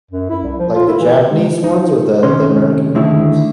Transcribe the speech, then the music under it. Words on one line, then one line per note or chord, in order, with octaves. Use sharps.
Like, the Japanese ones or the the American remakes?
F#2
E4
C2
F3
F4
E4
E3
C3
G#3
D#4
C3 D#3 C#4 C6
D3 D#3 A3 E4